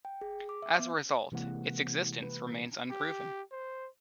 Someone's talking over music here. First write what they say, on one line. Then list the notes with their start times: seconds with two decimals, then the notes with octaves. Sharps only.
As a result, its existence remains unproven.
0.05 G5
0.21 G#4
0.49 D6
0.62 E5
0.79 B3
1.32 C3 E3 G#3 A#3 F#5
2.23 B4
2.90 G4
3.52 C5